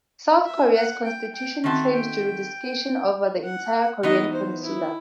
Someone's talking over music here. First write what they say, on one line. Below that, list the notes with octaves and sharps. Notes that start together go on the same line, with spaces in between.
South Korea's constitution claims jurisdiction over the entire Korean peninsula.
E5
F#5
G5
G5
D#3 A3 C4 F#4 A5
G5
F#5
E3 B3 D#4 F#4 D#5
C5
E4